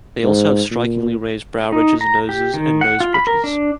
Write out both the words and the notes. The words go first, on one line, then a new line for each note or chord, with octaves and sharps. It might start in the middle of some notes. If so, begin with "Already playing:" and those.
They also have strikingly raised brow ridges, noses, and nose bridges.
G#2
A#2
D#4
A#5
G4
D#3
F#5
F4
B5
A#4
D4